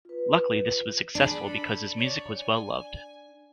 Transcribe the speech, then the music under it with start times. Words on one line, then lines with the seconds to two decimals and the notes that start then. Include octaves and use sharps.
Luckily this was successful because his music was well loved.
0.05 F4 B4
1.15 D4 G#4 B5
1.44 A4 B5
1.96 C#5 D5
2.35 G#5